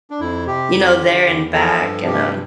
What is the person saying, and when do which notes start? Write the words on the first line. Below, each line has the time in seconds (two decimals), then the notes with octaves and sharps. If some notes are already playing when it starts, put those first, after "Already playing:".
you know, there and back, and, um,
0.10 D4
0.20 F2 E4
0.47 C3 G4
0.74 F2
1.00 D3
1.27 E2
1.53 F3 A4
1.80 G2
2.07 C3 G4